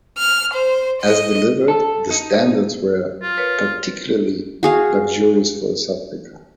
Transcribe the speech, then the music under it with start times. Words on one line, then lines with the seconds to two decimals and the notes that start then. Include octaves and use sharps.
As delivered, the Standards were particularly luxurious for a subway car.
0.18 F6
0.53 C5
1.02 D#5
1.68 A4
2.11 D#4
3.23 F4
3.37 A#4 B4 C#5
4.63 F#4 G#4 F5